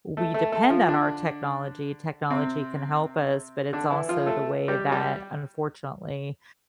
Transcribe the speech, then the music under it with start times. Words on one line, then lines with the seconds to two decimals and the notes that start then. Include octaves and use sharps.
we depend on our technology. Technology can help us, but it's also the way that unfortunately,
0.17 A3 A4
0.34 A3 A4
0.52 A3 A4
0.70 F3 F4
0.88 D3 D4
2.30 C3 C4
3.73 D3 D4
3.90 E3 E4
4.09 F3 F4
4.26 A3 A4
4.68 G3 G4
4.92 G3 G4